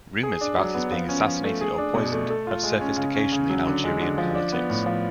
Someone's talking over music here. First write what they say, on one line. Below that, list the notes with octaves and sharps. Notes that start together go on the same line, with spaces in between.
Rumors about his being assassinated or poisoned have surfaced occasionally in Algerian politics.
G#4
D4
F#3
B3
F3
C#4
F3
A3
G#4
D4
B2
A3
A4
F4
G#3
C#4
C#3
C#4
C#3
F#3
D3
G#3
D3
F3
D4
B3
A2
F3